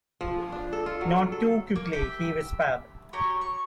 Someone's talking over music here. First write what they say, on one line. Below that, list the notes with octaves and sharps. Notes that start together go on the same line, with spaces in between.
"Not too quickly," he whispered.
F3
D4
A4
F4
F#3
A4
A#3
G4 E5
F#4 G4 C#5 A#5
C#6